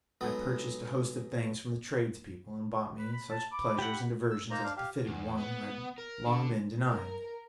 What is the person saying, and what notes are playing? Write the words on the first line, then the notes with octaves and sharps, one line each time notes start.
I purchased a host of things from the tradespeople, and bought me such pleasures and diversions as befitted one who had long been denied.
F#3 G#3 B3 D#4 A4
B4
B5
A5
B5 D6
G4 E5 F#5
E6
A#3 D#4 C5 A#5
D4 F5
G4 F5
E2
B3
A#4
D3
A#4